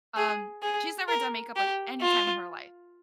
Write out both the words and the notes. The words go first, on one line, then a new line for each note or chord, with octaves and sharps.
um, she's never done makeup like any time in her life.
G#4
G#4
A#4
G4
F4